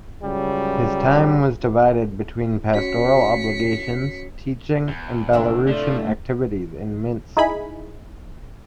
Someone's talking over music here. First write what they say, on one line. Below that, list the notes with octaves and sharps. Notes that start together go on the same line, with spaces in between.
His time was divided between pastoral obligations, teaching, and Belarusian activities in Minsk.
C#2 C#3 F#3 G3
C#4 F#4 C#5 B6 C#7
E2
D2 A2 C3 D4 E5
A2 F3 A3 D5
D#4 E4 G#4 G#5 B5